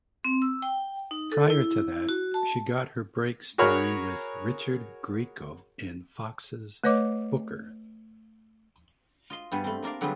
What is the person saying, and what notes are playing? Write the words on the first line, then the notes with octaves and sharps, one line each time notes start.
Prior to that, she got her break starring with Richard Grieco in Fox's "Booker".
C4
E6
G5
D#4
A4
E4
F#4
A5
F#4 G#4 A#4 C#5 B5 F6
A3 B4 C#5 D#5 D6
F4 D#5 C6
G2 G3 B3 F5 G#5
A3 C4
A#3 D4 A#4 D5 F5
D3 F#3 G3 B3 F4 G#4